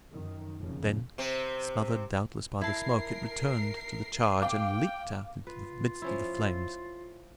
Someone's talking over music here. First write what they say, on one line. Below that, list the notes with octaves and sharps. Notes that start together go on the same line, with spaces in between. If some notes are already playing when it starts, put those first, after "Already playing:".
Then, smothered doubtless by the smoke, it returned to the charge and leaped out into the midst of the flames.
F#2 D#3
F1 A#2 C#3 F3
C3 C4
E4 A#4 A5 C7
F5 G5 D6
F4 B4
F3 C#4 E4